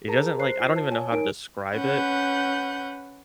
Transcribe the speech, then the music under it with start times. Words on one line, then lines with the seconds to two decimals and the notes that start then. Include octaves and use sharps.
it doesn't like, I don't even know how to describe it,
0.07 G#4 A#4 A5 A#5
0.40 C5 F#6 C7
0.60 F4
0.76 A5
0.91 C#5 G#5
1.12 D#4 A#4 D7
1.75 C#4 B4 F#5 G6